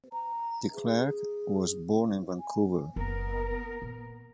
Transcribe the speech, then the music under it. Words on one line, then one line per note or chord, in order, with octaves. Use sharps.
De Klerk was born in Vancouver.
A#5
G#4
G#5
F#1 B3 A#4
A#2